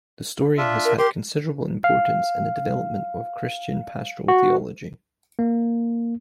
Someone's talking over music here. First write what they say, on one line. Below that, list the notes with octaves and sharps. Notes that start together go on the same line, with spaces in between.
The story has had considerable importance in the development of Christian pastoral theology.
D4 F4 E5
A#4
G4 A#4 C6
F5
F#4
A#3